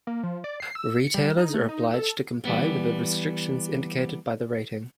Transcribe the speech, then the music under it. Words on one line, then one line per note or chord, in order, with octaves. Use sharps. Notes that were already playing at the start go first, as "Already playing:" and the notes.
Retailers are obliged to comply with the restrictions indicated by the rating.
A#3
F3
D5
C7
E6
C#7
G3
D#4
A3
D#4
A4
E3 G3 B3